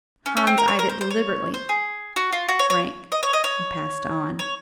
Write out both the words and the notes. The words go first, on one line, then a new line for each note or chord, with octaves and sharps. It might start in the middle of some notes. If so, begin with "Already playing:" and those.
Hans eyed it deliberately, drank, and passed on.
C#4
C#4
C4
A#4
C#5
A#4
C5
C5
C#5
C5
G#4
F#4
F4
F#4
C#5
C#5
D#5
C#5
D#5
C#5
C#5